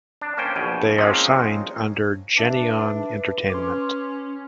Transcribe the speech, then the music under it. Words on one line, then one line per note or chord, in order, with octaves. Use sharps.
They are signed under Geneon Entertainment.
D4
A#3 C#4 C5 G5
A#1 B2 G5 G#5
F3 G#3 A#3 C4 C#4 D#4
D4 B4 E5 A5 D6
C#4 C6 D6